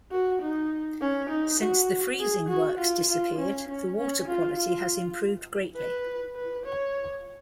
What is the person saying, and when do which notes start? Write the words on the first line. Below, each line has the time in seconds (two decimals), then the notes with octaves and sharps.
Since the freezing works disappeared the water quality has improved greatly.
0.11 F#4
0.42 D#4
1.01 C#4
1.30 D#4
1.60 F#4
2.20 G#4
2.48 F#4
2.79 F4
3.09 F4
3.38 C#4
3.68 C#4
3.97 C#4
4.28 F4
4.57 F4
5.76 B4
6.36 B4
6.65 C#5